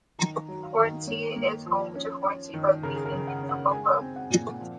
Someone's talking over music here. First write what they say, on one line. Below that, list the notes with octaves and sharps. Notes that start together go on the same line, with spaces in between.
Hornsea is home to Hornsea Rugby Union Football Club.
D#3 A#5
F#3
F5
D#3
A#3 C#5
A#3
F3
C#4
C#4
D#3
C#3 A#4
G#4
A#4
C#3
F#5
C#4
F#5
G#3 G#5
C4
F#5
A#2
F3